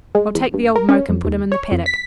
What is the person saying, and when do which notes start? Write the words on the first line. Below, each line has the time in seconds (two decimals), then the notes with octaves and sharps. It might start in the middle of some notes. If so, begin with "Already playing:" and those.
I'll take the old moke and put him in the paddock.
0.15 G#3
0.35 E2
0.54 G2
0.76 A#4
0.89 C#4
1.09 F2
1.25 D#2
1.52 C#5
1.72 F2
1.86 B6